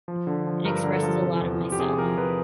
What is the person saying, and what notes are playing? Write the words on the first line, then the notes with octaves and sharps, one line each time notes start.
It expresses a lot of myself.
F3
D3
F3
G2 A#4
D3
A4
F3
C3
E2
E2
G4
C3 G#4
F3 A#4
F3 B4